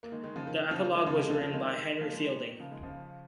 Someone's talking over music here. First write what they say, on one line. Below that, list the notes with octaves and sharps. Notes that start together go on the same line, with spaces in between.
The epilogue was written by Henry Fielding.
A#3
D#3 G#3
D#3 G#3
C#3 F3
D#3
D#3
C#3 F3
D#3
D#3 G#3
C#3 F3
D#3 G#3
C#3 F3
C#3 F3
D#3 G#3
F3 A#3
D#3 G#3
D#3 G#3
D#3
C#3 F3
D#3 G#3
C#3 F3